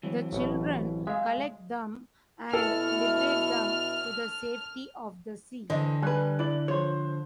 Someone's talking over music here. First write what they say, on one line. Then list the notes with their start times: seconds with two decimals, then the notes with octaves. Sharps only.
The children collect them and liberate them to the safety of the sea.
0.03 E3 F#3 C4
0.33 A1 B2
1.07 G#3 E5 F5
2.53 B2 E4 A4 F6
5.70 D3 E3 C5 D5 D#5
6.02 G3 B4 G#5 F#6
6.39 E4 D5 F#7
6.68 F3 C5 C#5